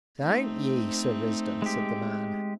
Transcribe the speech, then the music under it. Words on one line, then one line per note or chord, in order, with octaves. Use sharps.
"Thank ye, Sir Risdon," said the man.
A3 C4 D#4
G#3 G4